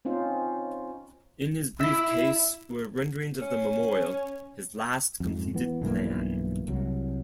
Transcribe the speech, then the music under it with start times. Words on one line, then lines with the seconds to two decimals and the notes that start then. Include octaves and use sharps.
In his briefcase were renderings of the memorial, his last completed plan.
0.05 C4 C#4 D#4 F4 C5
1.80 E4 E5
3.42 C#4
5.20 F2 G#2
5.55 E3 B3
5.82 B1 G2 E3 A#3
6.68 C2 F#3